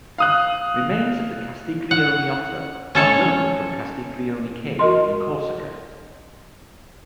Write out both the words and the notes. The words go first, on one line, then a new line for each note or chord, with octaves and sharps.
Remains of the Castiglione otter are known from Castiglione Cave in Corsica.
F5 D#6 F#6
F#5
C#4 A4 C#5
F#4 A#4 D#5 C6